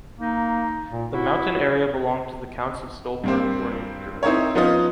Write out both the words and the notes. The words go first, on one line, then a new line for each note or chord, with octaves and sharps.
The mountain area belonged to the counts of Stolberg-Wernigerode.
A#3 D#4
A#2
E4 F#4
G2 A#3 C4
C4 D#4 E4 A#4 C#5
F3 B3 C#4 D#4 F4 D#5